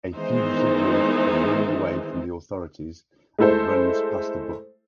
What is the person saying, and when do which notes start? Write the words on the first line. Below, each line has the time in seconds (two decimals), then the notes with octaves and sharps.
A fugitive wolf is running away from the authorities and runs past the book.
0.15 D#3 E3 G#3 B3 D#4 C5
3.38 G#3 A3 E4 A4 C5